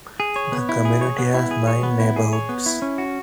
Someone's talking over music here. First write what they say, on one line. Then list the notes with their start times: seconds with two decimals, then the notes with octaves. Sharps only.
The community has nine neighbourhoods.
0.20 G#4
0.36 C#5
0.52 B3
0.69 E4
0.85 G#4
1.01 C#5
1.18 B3
1.34 E4
1.51 G#4
1.67 C#5
1.83 B3
2.00 E4
2.16 G#4
2.33 C#5
2.49 B3
2.66 E4
2.82 C#4
2.98 F#4